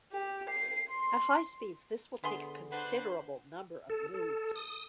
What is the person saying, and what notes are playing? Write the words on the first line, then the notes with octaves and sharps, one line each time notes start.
At high speeds, this will take a considerable number of moves.
G4
C7
C6
D3 B3 G#4 C6
D4 B4 C5 F#5
A4
A4
D#6